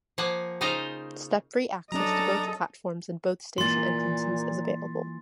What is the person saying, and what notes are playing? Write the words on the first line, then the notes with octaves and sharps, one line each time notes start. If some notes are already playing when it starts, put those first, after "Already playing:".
Step free access to both platforms and both station entrances is available.
F3 A#3 F#5 G#5
C#3 D#4 F4 C5 D#5 A#5
F#3 C#4 D4 A4 D#5 A#5
A#2 E3 A#3 F4 C6 A6